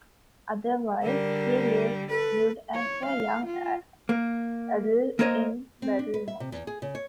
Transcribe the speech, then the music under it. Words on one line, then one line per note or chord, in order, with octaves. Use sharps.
Otherwise, he lived as a young adult in Baltimore.
D3 G3 A#4
A4 B4
C#5
F5
F4
A#3
A#3 A#4 C5 C#5 D#5
C4
D4
B4
E5
C3
E2
G#4
C#3
C#5